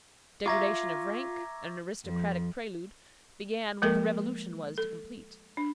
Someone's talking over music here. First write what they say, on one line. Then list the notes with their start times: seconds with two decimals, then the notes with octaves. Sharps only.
Degradation of rank, an aristocratic prelude, began what the revolution was to complete.
0.46 F4 E5 A#5 C#6 D6 G#6 A#6
2.06 F2
3.82 F3 G#3 A#3 A4 A#4
4.78 A4
5.57 D4